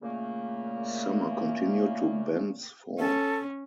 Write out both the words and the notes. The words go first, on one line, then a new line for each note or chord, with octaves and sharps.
Sumner continued to Bent's Fort.
A#2 C#3 A3 A#3
C#4 A4